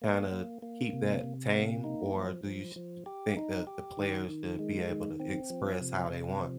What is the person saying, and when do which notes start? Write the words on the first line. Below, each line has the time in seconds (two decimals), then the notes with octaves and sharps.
kinda keep that tame, or do you sh d think that the players should be able to express how they want?
0.02 A#3
0.32 A#3
0.62 A#3
0.93 C3
1.24 C3
1.54 A#3
1.84 D#4
2.16 F3
2.45 F3
2.76 F3
3.06 G4
3.37 D#4
3.67 G4
3.97 D#3
4.29 D#3
4.59 G#3
4.89 D#3
5.20 C4
5.50 F3
5.81 C3
6.10 C3
6.41 F3